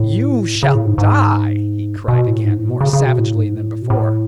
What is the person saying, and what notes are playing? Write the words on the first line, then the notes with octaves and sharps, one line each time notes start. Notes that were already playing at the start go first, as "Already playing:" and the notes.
"You shall die!" he cried again, more savagely than before.
Already playing: A2
C#3
A2
G#2
G#2
B2
A2
G#2
A2
B2
C#3
C#3
B2
A2
G#2
A2
B2
A2